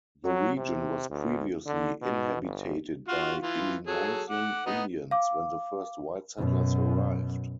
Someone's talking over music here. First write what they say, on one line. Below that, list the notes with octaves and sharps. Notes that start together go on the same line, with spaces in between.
The region was previously inhabited by Illinoisan Indians when the first white settlers arrived.
F#3
C3
D2
D3
B2
G1
F4 F#4 F5
E3 F4
F#3 G#4 A4
F#5 D6
B3 D#4
F5 D6
F#2 B2